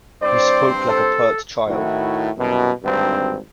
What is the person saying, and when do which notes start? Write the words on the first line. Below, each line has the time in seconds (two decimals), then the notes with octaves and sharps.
He spoke like a pert child.
0.22 G2 C4 C5 D5
0.89 A4
1.68 A2 D#3 E4 F#4
2.37 C2 F#2 B2
2.83 G#1 D2 G2 C4